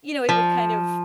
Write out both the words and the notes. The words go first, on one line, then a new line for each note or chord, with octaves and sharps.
you know, he would kind of
F3